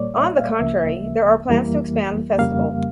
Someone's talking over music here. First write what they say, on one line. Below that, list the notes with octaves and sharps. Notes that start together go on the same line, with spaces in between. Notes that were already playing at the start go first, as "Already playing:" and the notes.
On the contrary, there are plans to expand the festival.
Already playing: A#2 G3 A#3 C#5 D5
E5
F5
D2 C#3 F3 A#3 E5
F2 E3 G3 A#3
F2 C#3 G3 A#3 F5